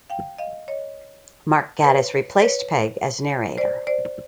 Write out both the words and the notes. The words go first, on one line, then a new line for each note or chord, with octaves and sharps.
Mark Gatiss replaced Pegg as narrator.
F5 G5
D#5 F5
C#5 D#5
B4 C#5
B4 C#5
C5 D5
C5 D5